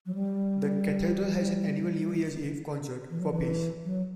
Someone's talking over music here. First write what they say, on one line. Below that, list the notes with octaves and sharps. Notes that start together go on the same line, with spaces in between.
The cathedral has an annual New Year's Eve Concert for Peace.
F#3
G3
E3
F#3
E3
F#3